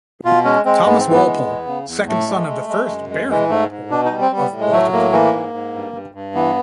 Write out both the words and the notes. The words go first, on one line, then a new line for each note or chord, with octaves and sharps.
Thomas Walpole, second son of the first Baron Walpole, of Wolterton.
B2 F4
G#3 C#4
G#3 C4
G#2 B3
C4
E3
B3
G#3
E2
C#3
E2
A2 A3
G#3
G#3
G#3
F#2
G#3
E3 G#3
G#2 A3
G#2
B2 D4
D#4
G3
C4
G3
B3
A2
G#3
F#3 A3
A2 A#3
E3 A#3
G#2
G#2
G2
G2
G2
E3 B3